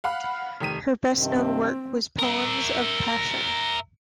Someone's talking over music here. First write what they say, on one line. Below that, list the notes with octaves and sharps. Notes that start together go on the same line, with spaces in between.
Her best-known work was "Poems of Passion".
F5 F#5 B5 F6
F1 D#3 B6 D#7
G2 C3 D#3 C4
A#4 E5